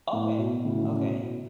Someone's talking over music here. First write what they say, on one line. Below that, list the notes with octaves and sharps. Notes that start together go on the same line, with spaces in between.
Okay, okay.
A2
B2
A2 C#3
A2 C#3
B2
B2